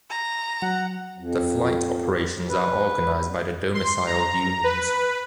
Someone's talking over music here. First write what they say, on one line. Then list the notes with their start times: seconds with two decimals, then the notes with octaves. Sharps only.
The flight operations are organized by the domiciled unions.
0.10 A#5
0.62 F#3 F#5
1.18 F2
2.50 B4
3.74 C6
4.07 A#5
4.64 B4